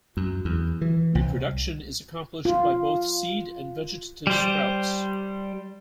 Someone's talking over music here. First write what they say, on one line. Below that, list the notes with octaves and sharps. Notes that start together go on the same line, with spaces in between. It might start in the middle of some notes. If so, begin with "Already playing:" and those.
Reproduction is accomplished by both seed and vegetative sprouts.
F#2
E2
E3
C2
F4
G3 C5